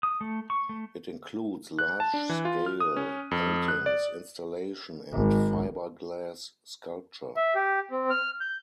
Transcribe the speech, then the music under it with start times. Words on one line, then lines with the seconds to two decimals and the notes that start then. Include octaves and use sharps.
It includes large scale paintings, installation, and fiberglass sculpture.
0.03 D#6
0.21 A3
0.50 C#6
0.69 A3
1.79 F#6
2.00 A5
2.14 D4
2.29 E3
2.45 F4
2.66 F6
2.80 D#6
2.96 C#4
3.31 F2
3.68 F#6
3.86 D5
5.13 G#1
7.37 E5
7.55 G4
7.91 C4
8.10 F6
8.41 G6